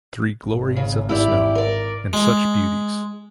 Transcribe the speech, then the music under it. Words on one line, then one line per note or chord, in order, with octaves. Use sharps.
Three glories of the snow, and such beauties!
G#1
C#3
E4 G4 D5
A#4 D5
G#3